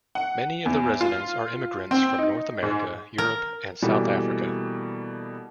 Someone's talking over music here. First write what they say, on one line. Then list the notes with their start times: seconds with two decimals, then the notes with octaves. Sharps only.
Many of the residents are immigrants from North America, Europe and South Africa.
0.15 F#5
0.66 E2
1.01 F4
1.91 C4
2.18 D#4
2.63 G#2
3.18 A#4
3.82 B2 E3 G3 A3 A#3